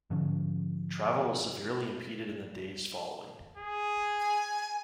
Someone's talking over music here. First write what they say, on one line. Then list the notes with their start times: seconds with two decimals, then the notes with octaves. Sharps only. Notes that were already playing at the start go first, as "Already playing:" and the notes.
Travel was severely impeded in the days following.
0.10 G#2 D3 F3 C#4
3.57 G#4
4.20 G#5